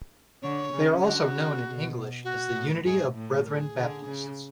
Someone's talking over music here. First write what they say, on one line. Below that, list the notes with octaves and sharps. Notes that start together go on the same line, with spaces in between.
They are also known in English as the Unity of Brethren Baptists.
D3 D4 C#5
C#3 C#4
D3 F#4 G#4
C#3
B2
F#4
A2
G#2 G#4
A2
A#4
G#4
D3
C#3